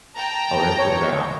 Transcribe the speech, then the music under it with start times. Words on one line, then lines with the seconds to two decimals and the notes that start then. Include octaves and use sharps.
Oh, they'll throw down.
0.16 G5 A5 A#5
0.78 C#5